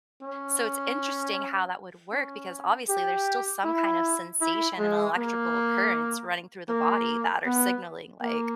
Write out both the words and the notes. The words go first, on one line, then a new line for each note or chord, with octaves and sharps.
So it's interesting how that would work because, obviously, there's still some kind of sensation and electrical occurrence running through the body that are signaling like,
C#4
C#4
G4
E4
E4
G#3
A#3
A#3
B3
A#3